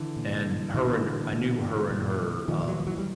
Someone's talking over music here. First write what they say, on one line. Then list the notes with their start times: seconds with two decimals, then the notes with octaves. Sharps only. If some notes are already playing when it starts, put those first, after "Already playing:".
and her and I knew her and her, um,
Already playing: D3 E3
0.16 A#2
0.74 A#2 D3 E3
1.33 A#2
1.91 A#2
2.48 A#2 D#3 F3
2.67 E3 F#3
2.79 F3
2.87 E3 F#3
2.98 G3